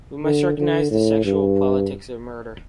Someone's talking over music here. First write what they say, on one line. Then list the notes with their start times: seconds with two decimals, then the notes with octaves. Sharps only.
We must recognize the sexual politics of murder.
0.23 D3
0.57 D3
0.91 A2
1.25 G2